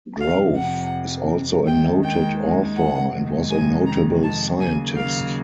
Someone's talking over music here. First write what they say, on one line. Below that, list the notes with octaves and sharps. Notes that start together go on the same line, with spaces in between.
Grove is also a noted author and was a notable scientist.
F2 C3 F3 F5
F#5
D#2 D#3 G#3 G5
G5
F#5
F2 C3 D#3 G#3
G#5
A#5
A5
D#2 C#3 F#3 A#3 G#5
F5